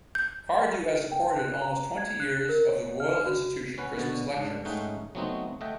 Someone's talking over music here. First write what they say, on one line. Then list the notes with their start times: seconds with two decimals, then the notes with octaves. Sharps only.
Cardew has supported almost twenty years of the Royal Institution Christmas Lectures.
0.15 G6
1.12 G5
1.39 F#6
1.62 A#5
1.97 G#6
2.20 F#6
2.49 A#4
2.68 C#5
3.00 F6
3.26 F#4
3.78 C#4 B4 F#5
3.97 B2 D3 B3 F#4
4.34 G#2 D4
4.65 G#2 A3 C#4 D#4 F#5 G5
5.15 F#3 A3 B3 C4 D#4 F#4
5.61 A3 D#5 E5 F#5 G5